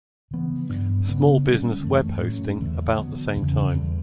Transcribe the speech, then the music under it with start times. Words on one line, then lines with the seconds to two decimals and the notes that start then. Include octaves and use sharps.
Small Business web hosting about the same time.
0.31 C#3 E3 B3
0.69 G2 F#3 B3 D4
1.08 C#3 F#3 B3 D4
1.45 D3 G3 C#4
1.84 F#2 E3 A3
2.21 A2 F#3 C#4
2.60 E2 D3 A3
2.97 D3 F#3 B3
3.36 E2 C#3 E3
3.74 E2 D3 G3